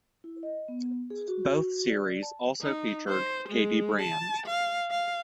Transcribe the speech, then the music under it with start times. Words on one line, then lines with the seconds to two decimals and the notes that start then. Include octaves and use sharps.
Both series also featured Katy Brand.
0.24 E4
0.43 D#5
0.68 B3
1.10 G#4
1.28 F#4
1.88 D5
2.23 A5
2.61 D#4
3.08 C5
3.49 G#3
4.02 A5
4.46 F5
4.91 F5